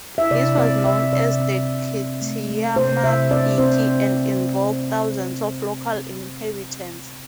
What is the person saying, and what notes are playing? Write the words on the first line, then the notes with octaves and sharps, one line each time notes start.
This was known as the "Kitayama Ikki" and involved thousands of local inhabitants.
E5
C3 D5
C4 D5
C3 E5
C3 D5
C4
C3
C4
A3
A3
C3 C5
C3 E5
C4 D5
C4 C5